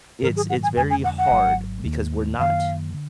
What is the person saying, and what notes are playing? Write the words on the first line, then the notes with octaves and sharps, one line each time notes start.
it's it's very hard because we're not
G#2 D#3 F#3 A#4
G#4
F#5
G#5
F2 D3 G#3 D4 G#5
G#5
F#5
F#5
G#1 G#2 F#3
D#2 D#3 A#3
F#2 D#3 A#3 F5
D3